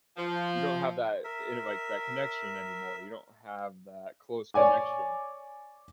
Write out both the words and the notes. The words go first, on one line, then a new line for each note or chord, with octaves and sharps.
you don't have that, you know, like, that connection anymore, you don't have that close connection.
F3
A#4 E5
C#5 D5 G#5 D6